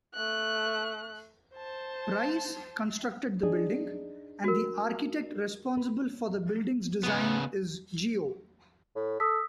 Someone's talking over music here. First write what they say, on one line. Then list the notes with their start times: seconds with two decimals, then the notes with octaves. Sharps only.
Price constructed the building and the architect responsible for the buildings design is Geo.
0.14 A3 F#6
1.55 C5 A5
3.43 D4 D#4 G#4
4.44 F#4 A#4
5.77 B4
7.03 C#3 B3
8.96 A2
9.20 A4 D#6 E6 B6